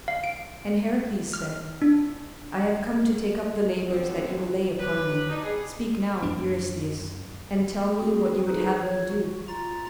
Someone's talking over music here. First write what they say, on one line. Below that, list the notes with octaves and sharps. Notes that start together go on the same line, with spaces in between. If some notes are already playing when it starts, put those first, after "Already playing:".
And Heracles said, "I have come to take up the labors that you will lay upon me; speak now, Eurystheus, and tell me what you would have me do."
F5
D7
F6
D4
B2 D3 F#3 C4
F#3 G4 B4
D4 D#4
G3 G#4
F#2 D4
C4 F#4 G#4
D#4 G#4 A4 B4 C5
C#5
F#4
F4 A#5 A6